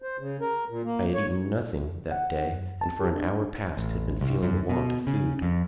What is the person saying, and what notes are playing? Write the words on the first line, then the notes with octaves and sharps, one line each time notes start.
I had eaten nothing that day, and for an hour past had been feeling the want of food.
C5
C#3
A#4
A#2
A#3
C#5
F#5
F#2
A5
G4
D4
A1
C2
F#2
B2
C#3
F2